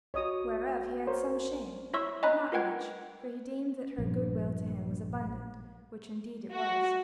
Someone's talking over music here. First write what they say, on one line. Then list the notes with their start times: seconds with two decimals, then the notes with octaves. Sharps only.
Whereof he had some shame, but not much, for he deemed that her goodwill to him was abundant, which indeed it was.
0.14 A#1 F#4 C#5 D#5 D#6
1.07 A#4 C5 C#5
1.93 E4 C#5 E5 C6 C#6 E6
2.23 D#5 G#5 A#5 B5 F#6 B6
2.52 F4 A#4 B4 F#5 G5 G#6
3.98 A#1 G2
6.51 F#4